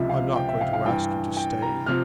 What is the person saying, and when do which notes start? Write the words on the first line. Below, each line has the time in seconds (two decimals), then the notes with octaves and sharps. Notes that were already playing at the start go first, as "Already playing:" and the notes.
I'm not going to ask you to stay.
Already playing: C#2 C3 F3 E5
0.09 F5
0.36 G5
0.48 E5
0.61 F5
0.73 F5
0.85 G2 E3 G5
1.37 G5
1.62 A#5
1.86 C3 F3 F6